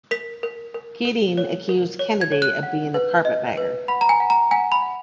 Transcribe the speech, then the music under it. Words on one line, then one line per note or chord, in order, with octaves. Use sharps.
Keating accused Kennedy of being a carpetbagger.
A#4 B6
A#4
A#4
A#4
C#5
A#4
C#5
G#6
C#5
F#6
F#5
B4
D#5
B4
F#5 B5
A#5
G#5
F#5
A#5
F#5 G#5
B5
F#5